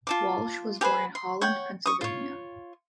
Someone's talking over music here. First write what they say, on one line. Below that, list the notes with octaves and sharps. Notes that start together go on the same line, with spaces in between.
Walsh was born in Holland, Pennsylvania.
F4 A5 D6
G4 G#4 B4 C5
C6
C#5 F#5 G5
C#6 D#6
F4 C#5